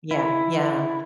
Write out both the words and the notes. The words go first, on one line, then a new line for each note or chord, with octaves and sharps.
Yeah. Yeah.
E4